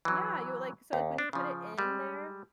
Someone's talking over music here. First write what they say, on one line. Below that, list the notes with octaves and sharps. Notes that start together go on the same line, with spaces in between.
Yeah, you like, so, like, when you put it in there,
E3 F#3
D#2
D4
C#3 F3
G3 G#3